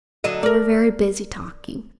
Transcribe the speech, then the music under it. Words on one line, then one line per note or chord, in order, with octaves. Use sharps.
They were very busy talking.
D3 F#3 D#5
A#4 D5